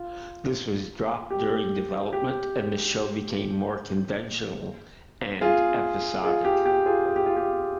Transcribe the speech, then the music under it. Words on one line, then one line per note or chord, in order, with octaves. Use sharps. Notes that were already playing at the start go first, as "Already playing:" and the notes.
This was dropped during development, and the show became more conventional and episodic.
Already playing: F4
G4
G4
F4 G#4
F4 G#4
G4
G4
F4 G#4
G#4
G4
F4
G4